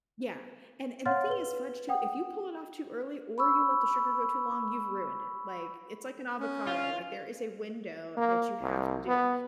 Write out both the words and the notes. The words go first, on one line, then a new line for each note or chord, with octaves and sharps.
Yeah. And and the thing is fudge, too, if you pull it off too early or you let the sugar go too long, you've ruined it. Like, it's like an avocado, like, there is a window that you have to do.
C#5 F5 F#5 C6 F6 A6
B4 G7
F#5 G5 D#6
B5 C#6 E6
C#4
F4
A#3
C2
B3